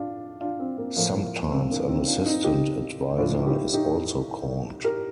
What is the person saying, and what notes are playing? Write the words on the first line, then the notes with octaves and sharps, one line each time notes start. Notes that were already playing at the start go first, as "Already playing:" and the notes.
Sometimes an assistant adviser is also called.
Already playing: D4 F4
D4 F4
C4
A#3
A2 F3 A#3
C4
A#3 D4
C4 D#4
D4 F4
C4 D#4
D#4 G4
A2 F3 D4 F4
D#4 G4
D#4 G4
G4 A#4